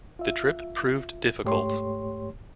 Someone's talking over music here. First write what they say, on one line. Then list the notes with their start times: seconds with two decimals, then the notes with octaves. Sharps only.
The trip proved difficult.
0.19 F4 E5
1.44 G#2 A3 G4 C#5 C6